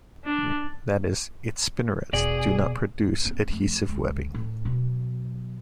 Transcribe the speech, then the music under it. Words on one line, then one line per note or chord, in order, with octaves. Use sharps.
That is, its spinnerets do not produce adhesive webbing.
D4
E1 B2 G#4 D5
D1
A#3 C4
F2 A3
C#2
A2
B2 F#3